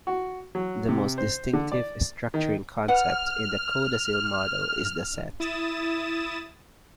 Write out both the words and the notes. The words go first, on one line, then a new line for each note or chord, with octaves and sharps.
The most distinctive structuring concept in the Codasyl model is the set.
F#4
F#3
C3
C5
D3
D5
D#3
B4 D5 F#5 F6
E4 D#6 A6 E7